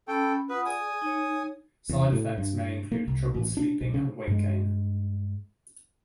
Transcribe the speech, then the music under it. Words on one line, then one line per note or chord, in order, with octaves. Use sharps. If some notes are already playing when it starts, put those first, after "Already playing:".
Side effects may include trouble sleeping and weight gain.
C#4 A4 G5 B5
F4 B4 F#5 D#6
G#4 D5 G#5 D#6
D#4 C#5
E2
A2
G2
A#3
C2
A1
D4
B1
C#3
G2 G#3